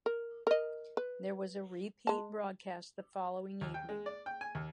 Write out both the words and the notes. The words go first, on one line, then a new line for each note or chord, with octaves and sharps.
There was a repeat broadcast the following evening.
A#4
A#4 D#5
B4
G#3 A5
D#2
G5
G#3
D5
G5
G#5
D#2